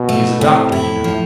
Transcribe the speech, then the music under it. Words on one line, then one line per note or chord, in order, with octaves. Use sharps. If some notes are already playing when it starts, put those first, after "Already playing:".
He is a doctor, you know.
Already playing: B2
A3
A2 C3
E4
F3